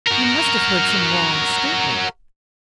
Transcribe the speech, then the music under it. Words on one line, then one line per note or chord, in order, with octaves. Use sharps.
'You must have heard some wrong statement.
F#4 A#4